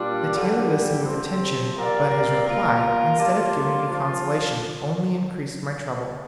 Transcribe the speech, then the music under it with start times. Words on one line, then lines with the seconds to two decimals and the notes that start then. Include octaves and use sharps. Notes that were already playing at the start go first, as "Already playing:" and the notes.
The tailor listened with attention, but his reply, instead of giving me consolation, only increased my trouble.
Already playing: A#2 G3 D4 F4
0.35 G2 D3 G3
1.05 C3 F3 C4
1.76 G3 C4 A#4 D5 F5
2.46 A#3 F4 A#4 F5
3.17 G3 A#3 D4 F4
3.88 F3 D4 F4